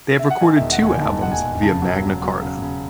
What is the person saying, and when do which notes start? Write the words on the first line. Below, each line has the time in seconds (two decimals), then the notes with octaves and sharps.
They have recorded two albums via Magna Carta.
0.19 E5
0.30 F#5
0.41 D#3 G#5
0.56 E5
0.61 E1
0.72 F#5
0.82 D#2 G#5
1.01 D#3 A5
1.22 E1 F#5
1.32 G#5
1.41 E1
1.62 C#3 A5
1.82 F#3
2.02 C#3
2.22 F#3
2.42 C#3
2.62 C#3